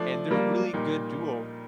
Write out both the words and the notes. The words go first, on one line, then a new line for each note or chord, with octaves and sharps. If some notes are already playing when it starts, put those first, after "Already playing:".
and they're a really good duo,
Already playing: F3 A3 D4 A4 D5
G3 A#3
A#2 G3 A#3 D#4